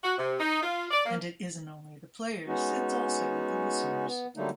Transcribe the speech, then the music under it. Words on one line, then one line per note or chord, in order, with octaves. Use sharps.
And it isn't only the players; it's also the listeners.
F#4
C3
D#4
F4
D5
A#3
G#3 B3 C#4 D#4 F#4
B3
D3 F#3 G3 A3 A#3 D#4